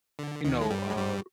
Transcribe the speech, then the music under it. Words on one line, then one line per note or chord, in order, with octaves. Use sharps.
you know, uh,
D3
D#2 D#3
G#3
G2 G3
G#3
G2 G3